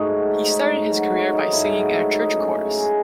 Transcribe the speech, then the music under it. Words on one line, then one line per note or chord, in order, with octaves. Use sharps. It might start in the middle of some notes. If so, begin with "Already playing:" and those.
He started his career by singing in a church chorus.
Already playing: G#2 A3 D#4 F#4
F#3
A3
D#4
G#2
F#3
A3
D#4
G#2 E4
F#3
A3
D#4
F#2
C#3
G#3